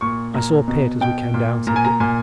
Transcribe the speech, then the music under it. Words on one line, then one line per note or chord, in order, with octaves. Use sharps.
"I saw a pit as we came down," said Dick.
A#2 C#6
A#2 A#5
B2
B2 G5
A#2
A#2 A#5
G#5
A#5
A#2 G#5